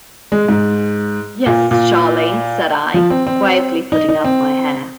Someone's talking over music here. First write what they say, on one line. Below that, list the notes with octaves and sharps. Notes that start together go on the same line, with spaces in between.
"Yes, Charley," said I, quietly putting up my hair.
G#3
G#2
A#2
A#2
F3
C4
C4
D#4
D#4
C4